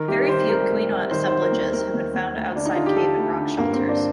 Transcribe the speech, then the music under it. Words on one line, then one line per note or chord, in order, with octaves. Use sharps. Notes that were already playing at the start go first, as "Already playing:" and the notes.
Very few Quina assemblages have been found outside cave and rock shelters.
Already playing: D#3 A#4
C2 G4
D#3 C5
C2 A#4
C2
C2
D#3 C5
D#3 C5
A#4
D#2
D#2 A#4
D#2
D#2
D2
D3 D4
D#4
D3 F4
G4
D3 A4
D2
D3
G2 A#3
C4
D3
D4